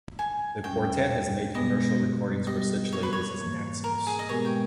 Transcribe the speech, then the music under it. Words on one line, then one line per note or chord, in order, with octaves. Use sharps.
The quartet has made commercial recordings for such labels as Naxos.
G#5
E2 B2 G3 C#4 G5
B2 G#3 B3 D#5
G3 B3 G4 D#5
C#5
B4
C#5
G#2 E3 A#3
A#4
G#4
D#5
B2 G#3 B3 G4 A#4 C#5
G5